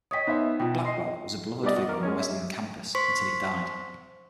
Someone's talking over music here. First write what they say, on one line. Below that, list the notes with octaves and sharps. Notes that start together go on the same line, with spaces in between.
Blackwell was a beloved figure on the Wesleyan Campus until he died.
C#5 D#5 G5 D#6 B6
B3 D#4 C5 E5
B2 F4 G5
D#5 C6 C7
G3 B3 D5 D#5
F#4
A#4 D6
G#3 C#4 C#5
E5
C5 C6 C#6 B6